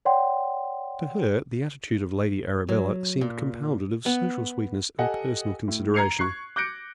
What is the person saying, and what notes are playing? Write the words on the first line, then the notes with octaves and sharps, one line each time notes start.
To her, the attitude of Lady Arabella seemed compounded of social sweetness and personal consideration.
C#5 D5 F#5 G5 C6
F#3
A#2
B3
G4 A4 D#5 F#5 G#5
A2
A#5 G#6 C7 C#7 F7
C#6 F#6 C7
D6 F#6 G6 A#6 C#7 D7